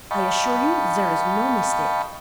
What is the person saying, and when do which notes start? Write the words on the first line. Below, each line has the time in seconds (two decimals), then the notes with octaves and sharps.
I assure you there is no mistake. . . .
0.11 D#5 F5 G5 A5 B5 C#6